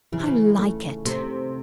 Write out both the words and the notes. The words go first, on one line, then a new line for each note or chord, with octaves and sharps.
I like it.
C#3 E3
C3
C#3
A3
C3 A3